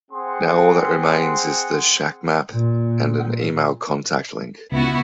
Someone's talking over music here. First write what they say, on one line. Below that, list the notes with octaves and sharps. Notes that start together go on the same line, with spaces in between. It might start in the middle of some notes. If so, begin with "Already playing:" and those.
Now all that remains is the "shack map" and an email contact link.
C4 G#4 F#5 C6
A#2
C#2 B3 E4 F#4